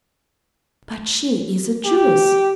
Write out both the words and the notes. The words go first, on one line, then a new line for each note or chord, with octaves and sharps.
"But she is a Jewess!"
G4